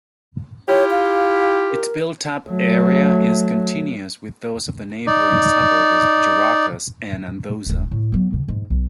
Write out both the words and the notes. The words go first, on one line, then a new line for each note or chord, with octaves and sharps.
Its built-up area is continuous with those of the neighbouring suburbs Gerakas and Anthousa.
E4 F4 G4 C#5
F5
A#4
F#3 A3
D#4 D5
D1 G#3
A2
F#3 B3
D2 C3
G#2
B1